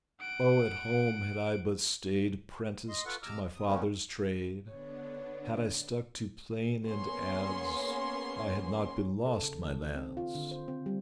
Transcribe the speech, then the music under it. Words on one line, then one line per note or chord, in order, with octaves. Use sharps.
"Oh, at home had I but stayed 'Prenticed to my father's trade, Had I stuck to plane and adze, I had not been lost, my lads."
F#5 D7
D#5 C6
F4 A4 B4 F#5 C#6
G#2 C3 A#5 D6 E6 F6
G#3
C3 D#6
C3 D#3 G#3 A3 B3 C#4
D3 B3 D4 C#5
A#3 B3 C#4 G#4 C#5 C6
A4
C#3
D#3
C4
F4
D3
C5
C4
G3